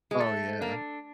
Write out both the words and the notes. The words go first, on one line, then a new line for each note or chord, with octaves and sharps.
Oh, yeah.
G#3
A3 A4
A#3 D4